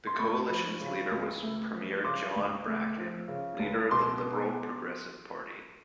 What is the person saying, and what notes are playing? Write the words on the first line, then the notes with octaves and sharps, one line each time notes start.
The coalition's leader was Premier John Bracken, leader of the Liberal-Progressive Party.
C6
A3 B5 C#6
F3
C#3
C#2
A3
F3
C#3 C6 D6
C#2
A3
F3
C#3
C#2
B2 C6 D6
B3